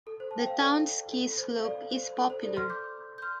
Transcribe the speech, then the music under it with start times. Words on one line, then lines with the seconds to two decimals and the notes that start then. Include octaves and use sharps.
The town's ski slope is popular.
0.07 A4
0.20 C5
0.31 A5
0.38 G5
0.46 C5 F5
0.59 A4 D5
1.12 A4
1.38 C5
1.58 F5
1.65 A4 D5
1.91 C5
2.17 A4
2.30 C5
2.43 A4 D5
2.56 C6 F6
2.70 D6 G6
3.18 G6
3.22 C6 F6